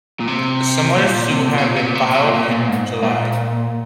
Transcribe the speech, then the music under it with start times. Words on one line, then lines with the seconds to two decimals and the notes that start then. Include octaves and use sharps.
A similar suit had been filed in July.
0.20 A#2
0.27 C3
0.97 A#2
1.31 C3
1.48 A#2
1.58 C3
1.67 A#2
1.76 C3
1.86 A#2
1.95 C3
2.05 A#2
2.14 C3
2.23 A#2
2.34 A#2
2.51 A#2
2.68 G#2
3.03 A#2